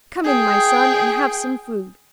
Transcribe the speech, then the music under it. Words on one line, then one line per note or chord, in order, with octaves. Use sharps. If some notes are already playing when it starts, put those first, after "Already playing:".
'Come in, my son, and have some food.
G#4 G5